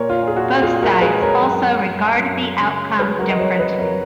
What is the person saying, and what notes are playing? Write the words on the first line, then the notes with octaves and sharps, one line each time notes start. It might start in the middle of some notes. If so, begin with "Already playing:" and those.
Both sides also regard the outcome differently.
Already playing: A#2 A#4 C#5
F4
A#2 G#4
F#4
A#2 F4 G#4
F#4 A#4
G#3 G#4 B4
A#4 C#5
F#2
F#2
F#2
C#3
F#3 G#4 B4
F#4 A#4
D#5
F#3 A#4 C#5
B4 D#5
F2 A#4 C#5